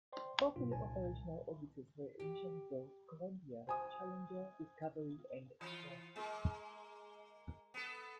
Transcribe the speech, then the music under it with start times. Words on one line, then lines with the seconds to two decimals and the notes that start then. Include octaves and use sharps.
Four fully operational orbiters were initially built: "Columbia", "Challenger", "Discovery", and "Atlantis".
0.13 C5 D5 G5 C6
0.40 B1
0.56 B1 G#2 B2 D4 F4
0.72 C2 A#2 G#5 A5
2.20 G4
3.67 C5 G#5 D#6
5.61 E3 F4
6.16 G#3 A#3
7.74 B3 A4